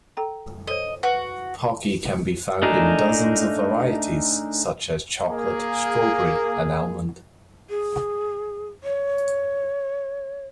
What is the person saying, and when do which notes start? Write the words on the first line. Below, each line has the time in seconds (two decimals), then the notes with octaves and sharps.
Pocky can be found in dozens of varieties such as chocolate, strawberry, and almond.
0.17 A4 G5 A#5
0.67 A4 C5 C#5 D#5
1.03 F#4 B4
2.62 A3 D4 D#4 G#4 A#4
5.29 A#3 G#4
7.70 G#4
8.84 C#5